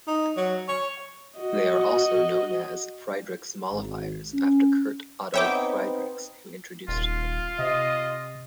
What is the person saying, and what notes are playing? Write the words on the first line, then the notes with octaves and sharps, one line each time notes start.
They are also known as Friedrichs mollifiers after Kurt Otto Friedrichs, who introduced them.
D#4
F#3
C#5
F#4 D#5
G#1
C#4
B3 C4 D#4 C#5 E5 G5 D6
D#1 F4
C3 D#5